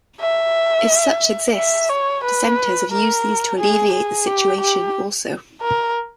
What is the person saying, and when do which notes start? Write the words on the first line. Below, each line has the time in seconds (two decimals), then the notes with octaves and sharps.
If such exist, dissenters have used these to alleviate the situation, also.
0.20 E5
1.56 E5
1.89 C#5
2.23 B4
2.91 A#4
3.59 G#4
3.93 G#4
4.26 G4
4.61 G4
5.62 A#4